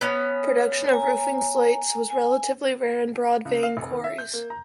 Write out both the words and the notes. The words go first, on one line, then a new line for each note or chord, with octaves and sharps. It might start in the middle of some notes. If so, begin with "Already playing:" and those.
Production of roofing slates was relatively rare in Broad Vein quarries.
B3 C#4
G#5 A#5
G#5
C#2
F5
F1
D#3
E5
G6
A#3
A#5